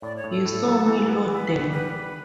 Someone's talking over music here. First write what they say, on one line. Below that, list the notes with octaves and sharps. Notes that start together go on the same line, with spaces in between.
You saw me load them.
A2 D5
C#5
A2
A4
A2
B3
E3
B3
E3 B4
B3
G3 B4
G3